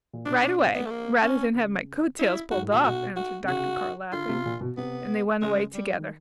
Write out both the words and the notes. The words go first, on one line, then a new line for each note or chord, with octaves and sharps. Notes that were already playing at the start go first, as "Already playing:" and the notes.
"Right away--rather than have my coat-tails pulled off," answered Dr. Carr, laughing, and they went away together.
A#2
B2 D4
D4
C4
B3
A3
A#3
C#4
C#3
E4
G#2 F#4
A2
A#2 F#4
B2 F#4
F#4
C3
C#3 F#4
D3 F4
C3
A#2
B2
C3 B3
C#3 G#3
G3
D#3